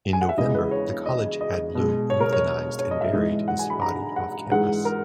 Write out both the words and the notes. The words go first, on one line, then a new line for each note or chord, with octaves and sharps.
In November, the college had Lou euthanized and buried his body off campus.
G#5
F#5
E5
E2 C#3 E3 G#3 D#5
B4
C#5
D#5
D#5
B2 G#3
C#5
A#4
C#5
C#5
D#5
E5
G#2 E3 G#3 D#5
F#5
G#5
B5
A#5
F#5
G#2 E3 G#3 F#5
A#4